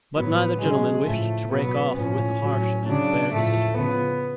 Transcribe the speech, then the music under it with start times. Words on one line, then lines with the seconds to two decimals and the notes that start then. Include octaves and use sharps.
But neither gentleman wished to break off with a harsh and bare decision.
0.15 A2 F#3 B3
0.60 C#3 F#3 G#3
1.05 A2 F3 A3
1.50 B2 F#3 B3
1.96 A2 F3 C#4
2.42 A2 F#3
2.87 C#3 F#3 D4
3.32 A2 F3 A3
3.77 C#3 F3 B3